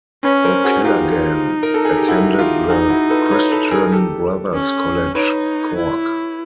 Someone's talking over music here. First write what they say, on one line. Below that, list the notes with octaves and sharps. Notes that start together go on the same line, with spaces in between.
O'Callaghan attended the Christian Brothers College, Cork.
C#4 B4 C#5
A#4 C5
F#4 G#4
D#4 F4 G4
A#4
A4
G#4
G4
E4 F#4
F4 G4
D#4 F#4 G#4
E4 F#4
A4 B4
B4 C#5
A4 B4
G#4 A#4
G4 A4
C#4
D#4 B4 C#5
E4